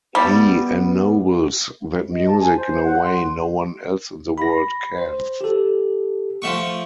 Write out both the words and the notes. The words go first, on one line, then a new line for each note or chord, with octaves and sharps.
He ennobles that music in a way no one else in the world can.
G3 B3
D#5
A5
G#5
C5
F#5
C6
B5 A#6
C5
G4 A4
F3 A3 C#6